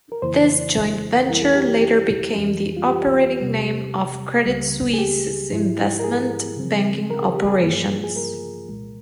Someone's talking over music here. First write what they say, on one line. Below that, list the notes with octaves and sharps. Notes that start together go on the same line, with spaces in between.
This joint venture later became the operating name of Credit Suisse's investment banking operations.
A#4
F2 C#3 E3 A#3 E4 C5
F2 E3 G3 A#3 E4 A#4
G#4
G4
G4
G4
F2 E3 G3 C#4
F4
G4
E2 C3 G3 C4
C#2 C#3 G3 A#3
G#4
G4
G#2 F3 G#3 E4
A#4
G#4
C#3 F3 C4
A#4
G#4
G4
G#4
G2 F3 A#3 F4
G#4
A#4
C2 A#2 G#3